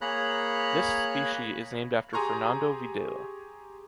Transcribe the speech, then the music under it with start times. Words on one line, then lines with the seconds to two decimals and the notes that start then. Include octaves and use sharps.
This specie is named after Fernando Videla.
0.01 A#3 G#4 C#5 A#5 B5 F#6
2.13 G4 G#4 G#5 A#5 C6 C#6